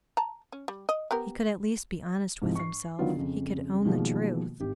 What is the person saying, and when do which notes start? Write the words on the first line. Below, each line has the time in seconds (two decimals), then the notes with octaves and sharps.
He could at least be honest with himself, he could own the truth.
0.17 A5 A#5
0.52 C#4
0.68 G3
0.89 D#5
1.11 B3 G4 A#4
2.42 G#2 C3 E3 F3
2.55 C#6 C7
2.99 D3 D#3 F#3 B3 F4
3.16 F2 C#3
3.85 B2 D#3 F3 G3 G#3 A#3
4.60 G#1 G4